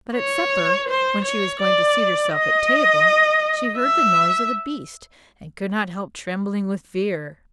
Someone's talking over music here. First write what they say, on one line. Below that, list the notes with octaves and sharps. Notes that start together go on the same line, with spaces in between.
But at supper, when she was going to seat herself at table, she heard the noise of the beast, and could not help trembling with fear.
C#5
C5
C#5
D5
D#5
E5